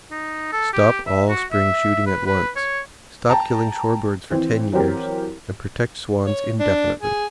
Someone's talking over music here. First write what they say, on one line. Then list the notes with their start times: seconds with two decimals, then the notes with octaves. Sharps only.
Stop all spring shooting, at once; stop killing shore birds for ten years, and protect swans indefinitely.
0.11 D#4
0.52 A4
0.73 G4
1.06 E5
1.29 F#4
1.52 E5
2.07 B4
2.26 B4
2.56 C#5
3.30 G5 A5 A#5
4.31 E3 C4
4.72 E3 F#3 C4 G4 A#4
6.27 C#5
6.60 D4
7.01 G#4